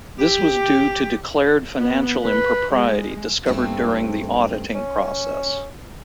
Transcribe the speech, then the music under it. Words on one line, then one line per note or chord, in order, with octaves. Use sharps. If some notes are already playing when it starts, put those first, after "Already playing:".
This was due to declared financial impropriety discovered during the auditing process.
G4
B3
B4
G#3
G2 D#3 A3 C4
C#4